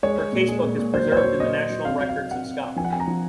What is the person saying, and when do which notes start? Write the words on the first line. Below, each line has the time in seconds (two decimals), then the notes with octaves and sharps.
Her casebook is preserved in the National Records of Scotland.
0.03 G#3 C#5
0.18 G#3
0.33 A#2
0.48 G#3
0.64 A#2
0.79 A#2
0.94 F#3 C5
1.09 A#2 C5
1.17 C#5
1.24 F#3
1.40 A#2 D#5
1.55 A#2
1.70 F#3
1.85 C3 F5
2.01 F#3
2.09 F5
2.16 C3
2.31 C3 F#5
2.46 C3
2.62 C3
2.76 F3 G#5
2.85 F#5
2.92 C3 G#5
3.00 A#5
3.07 F3